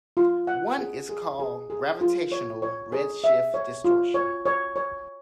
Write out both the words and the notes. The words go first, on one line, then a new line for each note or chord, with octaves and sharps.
One is called gravitational redshift distortion.
F4
F#5
G#4
G#4
G#4
G#4
F4
C#5
C#5
G#4
E5
C#5
F4
C#5
C#5
C#5